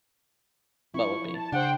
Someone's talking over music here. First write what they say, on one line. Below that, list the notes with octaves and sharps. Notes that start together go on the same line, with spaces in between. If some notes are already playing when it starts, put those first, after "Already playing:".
What would be?
F3 E4 C#6
A5
C#3 D4 C5 F#5 G5